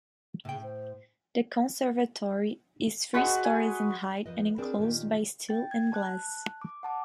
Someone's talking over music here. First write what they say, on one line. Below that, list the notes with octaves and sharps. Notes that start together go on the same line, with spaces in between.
The conservatory is three stories in height and enclosed by steel and glass.
A2 C#3 G5
C5
G#3 F#4 B4 C#6
G#5
F2 F3 B4 D#5
C4 D4 G#4 A#4 B4 D5
A#2 D#3 D4 F4 G4
G5 A6
G#6
A5 F#6
D6
F#5 A5 D6